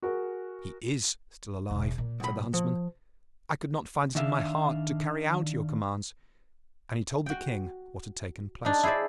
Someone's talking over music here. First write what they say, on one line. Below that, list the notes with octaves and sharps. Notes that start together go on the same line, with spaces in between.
'He is still alive,' said the Huntsman. 'I could not find it in my heart to carry out your commands,' and he told the King what had taken place.
F#4 G#4 A#4
E1
A#2
B1 B5
F3
D#3 D4 E5 F5
F#4 G5
D4 D#4
E4 G#4 C5 D5 E5